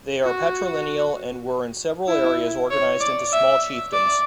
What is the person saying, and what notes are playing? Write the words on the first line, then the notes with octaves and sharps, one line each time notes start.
They are patrilineal and were in several areas organized into small chiefdoms.
F#4
E4
C#5
D5
E5
D5